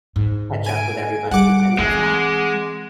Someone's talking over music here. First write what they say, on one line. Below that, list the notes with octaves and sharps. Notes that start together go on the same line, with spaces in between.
catch up with everybody. I love that.
G#2
G#5 D7
G3 F#5 D6
E3 G#3 C4